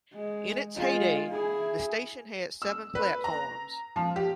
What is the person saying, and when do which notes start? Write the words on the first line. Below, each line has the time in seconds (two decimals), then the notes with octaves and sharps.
In its heyday, the station had seven platforms.
0.13 G#3
0.76 G#3 F4
1.30 E4 G#4
2.62 E6
2.95 B4
3.24 A#5
3.96 F3
4.16 G4